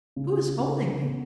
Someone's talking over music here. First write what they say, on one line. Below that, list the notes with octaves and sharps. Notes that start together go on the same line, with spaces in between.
Who is holding me?'
C#3
C#3
B3